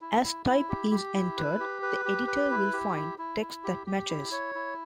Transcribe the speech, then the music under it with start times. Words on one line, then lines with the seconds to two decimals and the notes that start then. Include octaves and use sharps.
As type is entered the editor will find text that matches.
0.01 E4
0.24 E4
0.46 E4
0.69 G4
0.91 G4
1.15 E4
1.37 B4
1.60 G4
1.82 B4
2.05 G4
2.27 B4
2.51 E4
2.73 G4
2.96 E4
3.18 E4
3.41 E4
3.64 G4
3.87 G4
4.09 E4
4.32 C#5
4.55 E4